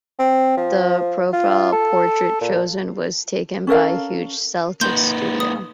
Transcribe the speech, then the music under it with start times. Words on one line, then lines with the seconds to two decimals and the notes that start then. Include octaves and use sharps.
The profile portrait chosen was taken by Hugh Cecil's studio.
0.19 C4
0.57 F3
1.33 F4
1.72 A4
2.41 A#2
3.67 C#4 A4 A#4 F5
4.81 A#3 D#4 B4 C6 G6
5.40 D#6